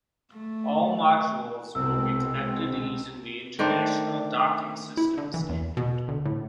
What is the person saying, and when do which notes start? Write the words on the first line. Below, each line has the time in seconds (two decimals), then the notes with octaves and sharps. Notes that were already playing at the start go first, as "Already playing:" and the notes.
All modules will be connected using the International Docking System Standard.
0.33 A3
1.75 C2 B2 G#3 C4 E6
3.59 D#3 A3 D4 C5
4.97 E4
5.18 D3
5.34 E3
5.49 E2
5.77 B2
6.08 D2
6.26 A2